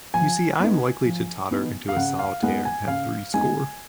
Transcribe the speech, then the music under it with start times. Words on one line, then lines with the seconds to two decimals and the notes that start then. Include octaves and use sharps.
You see I am likely to totter into a solitaire at three-score.
0.14 F3 G#5
0.60 B3 D#4
1.05 F3
1.51 B3 D#4
1.89 F5
1.97 C#3 F#5
2.19 F5
2.42 G#3 B3 D#4 F#5
2.65 G#5
2.88 C#3 F5
3.34 G#3 B3 D#4 G#5